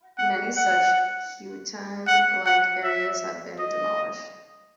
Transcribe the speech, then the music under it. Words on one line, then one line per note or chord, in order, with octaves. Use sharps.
Many such "hutong"-like areas have been demolished.
F#5
F#5
F#5
F#5
E5
D#5